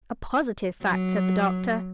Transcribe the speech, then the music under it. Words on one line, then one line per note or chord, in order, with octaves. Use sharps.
"A positive fact," said the Doctor.
F#3